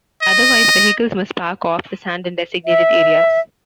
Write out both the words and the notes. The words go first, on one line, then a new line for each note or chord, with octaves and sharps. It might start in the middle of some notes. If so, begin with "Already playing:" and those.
Otherwise, vehicles must park off the sand in designated areas.
D#5
E5